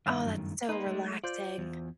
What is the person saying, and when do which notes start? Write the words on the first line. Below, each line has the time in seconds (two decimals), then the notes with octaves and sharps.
Oh, that's so relaxing.
0.06 G2 D#3 A3 E5 F5
0.26 F#2
0.69 A#3 D#4 B4 C6
0.87 G#3 A3
1.24 F4 C5 D5 G6
1.58 E2